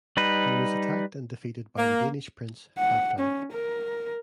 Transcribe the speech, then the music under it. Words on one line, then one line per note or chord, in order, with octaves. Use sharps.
He was attacked and defeated by the Danish prince Halfdan.
G3 D#4 B4
A#3
F#5
C#4
A#4